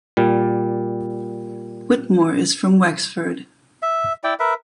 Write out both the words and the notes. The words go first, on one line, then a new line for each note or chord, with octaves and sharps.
Whitmore is from Wexford.
A#2 G3
E5
E4 D5 G5
A#4 B4 E5